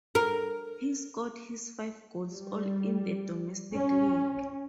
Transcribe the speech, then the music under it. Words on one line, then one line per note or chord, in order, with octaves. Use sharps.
He scored his five goals all in the domestic league.
A#4
G3
C#4